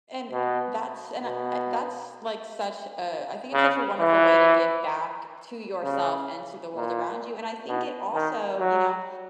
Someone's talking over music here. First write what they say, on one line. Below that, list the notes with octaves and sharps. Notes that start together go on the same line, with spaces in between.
And that's and I that's like such a I think it's such a wonderful way to give back to yourself and to the world around you, and I think it also, you know,
B2
B2
C#3
E3
C#3
A#2
B2
D#3
F#3